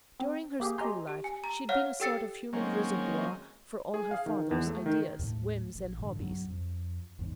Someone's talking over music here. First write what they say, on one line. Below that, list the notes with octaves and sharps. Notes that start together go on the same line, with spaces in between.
During her school-life she had been a sort of human reservoir for all her father's ideas, whims, and hobbies.
C4
A#3 G4 G#4
G4 D#5 G#5 A#5 C6
G4
G#5
A#5
C#5 F5 F#5 F6
G4 A4 G5 E6 A6 C#7
D#3 F#3 G#3 A#3 C4 C#4
G#4
F5
D#3
E2
A3
D#3
D#2 A2 A3
A#1
A1 G2 D3
B1 G2 F#3
F2
A1 E2 G#2